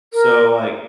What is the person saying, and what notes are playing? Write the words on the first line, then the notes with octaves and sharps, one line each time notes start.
So, like,
A#4